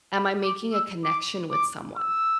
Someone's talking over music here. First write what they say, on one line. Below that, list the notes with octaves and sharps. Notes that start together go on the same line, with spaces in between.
"Am I making a connection with someone?"
B5
D6
E6
D6
D6
E6